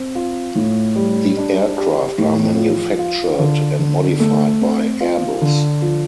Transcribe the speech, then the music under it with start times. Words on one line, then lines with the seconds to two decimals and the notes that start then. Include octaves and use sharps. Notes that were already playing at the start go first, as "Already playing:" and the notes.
The aircraft are manufactured and modified by Airbus.
Already playing: C4
0.15 F4
0.55 A2
0.96 G3
1.37 D4
1.78 G4
2.18 A2
2.58 F3
2.99 F4
3.39 D3
3.79 D3
4.20 A3
4.61 C4
5.01 F4
5.41 D3
5.82 F3